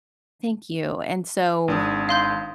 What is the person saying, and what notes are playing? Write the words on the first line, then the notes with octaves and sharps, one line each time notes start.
Thank you. And so,
G#1 D4 D#6
F5 C6 G6